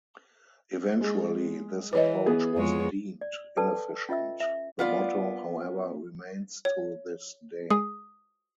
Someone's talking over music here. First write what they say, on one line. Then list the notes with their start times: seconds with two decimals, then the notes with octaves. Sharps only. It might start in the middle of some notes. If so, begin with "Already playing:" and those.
Eventually this approach was deemed inefficient; the motto, however, remains to this day.
1.01 G#3
1.93 E3 B4 C#5 D#5
2.26 B3 G#4
2.56 F2 G#3 C#5
3.21 D5
3.57 A4 B4 D5 G5 A5 E6
4.09 C#4 F4 D#5 E5 E6
4.40 E5
4.79 B3 F4 D5
6.65 C#5
7.71 G#3 G#4 D#6